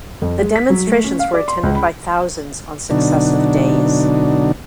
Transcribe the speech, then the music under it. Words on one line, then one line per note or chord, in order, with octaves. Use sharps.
The demonstrations were attended by thousands on successive days.
F2
G#3
B6
F#3
A3
C#4
F5
D5
C6
C#2
B5
B2 D3 F#3 D4 D#4